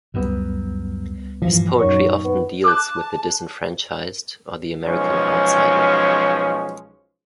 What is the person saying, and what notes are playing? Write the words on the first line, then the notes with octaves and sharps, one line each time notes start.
His poetry often deals with the disenfranchised, or the American outsider.
C#2 F#2 G3 B3
G2 A#2 E3 F3
F#2 F#3 D#4 C#6
B3
A5 D6 F#6
B1 F3 G#3 C#4